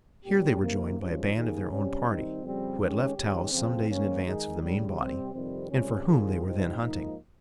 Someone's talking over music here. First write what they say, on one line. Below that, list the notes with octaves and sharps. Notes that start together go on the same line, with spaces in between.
Here they were joined by a band of their own party, who had left Taos some days in advance of the main body, and for whom they were then hunting.
A#2 G3 C#4 G4
C3 D#3 A#3
G2 F3 G#3 C#4
D#2 D#3 A#3 D#4 G#4
C3 G3 C#4
D#3 G3 C4 D#4
F2 C#3 G3 C4
D#3 G#3 C#4 G4
D#2 D#3 G#3 C#4 G4
F2 C#3 F3 C4
G#2 D#3 A#3 C#4
D#3 G#3 D#4 G#4
D#2 C#3 G3
C3 G3 C4 G4
F2 C3 D#3 G3 C4
C#2 C3 G3 C#4
D#3 G3 C4 F4 G#4
C2 C3 F3 C4 D#4
G#2 F3 A#3 D#4